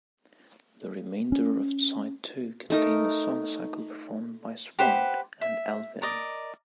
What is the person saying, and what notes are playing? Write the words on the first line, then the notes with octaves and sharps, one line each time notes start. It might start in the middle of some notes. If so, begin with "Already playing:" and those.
The remainder of side two contained the song cycle performed by Swann and Elvin.
C#4
A3 D#4 A#4
G4 B4 C5 F#5
E5
A#4 D5 D#5